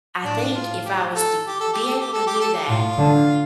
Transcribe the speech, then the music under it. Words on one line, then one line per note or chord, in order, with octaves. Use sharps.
I think if I was to be able to do that
A2 D4
F4
G4
A4
G4
A4
G4
A4
G4
A4
G4
A4
G4
A2 F4
D3